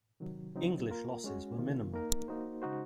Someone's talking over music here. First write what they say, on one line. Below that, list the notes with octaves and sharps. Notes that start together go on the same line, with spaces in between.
English losses were minimal.
C3 D#3 F#3
C#3 F#3 C4 D#4
A#3 F4 A#4
G#3 C#4 F#4
C3 D#3 A#3 F4
A#3 D#4 A#4
A#3 D#4 F#4 C5
C#3 G#3 D#4 F#4 C5